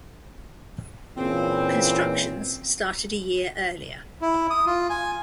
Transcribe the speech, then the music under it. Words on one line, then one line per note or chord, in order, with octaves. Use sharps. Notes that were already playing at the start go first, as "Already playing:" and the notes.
Constructions started a year earlier.
A#2 C#3 E3 C4
E4
D#6
F4
G#5